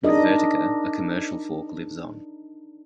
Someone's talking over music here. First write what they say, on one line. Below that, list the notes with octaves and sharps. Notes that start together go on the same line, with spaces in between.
With Vertica a commercial fork lives on.
D4 D#4 G#4 A#4 D#5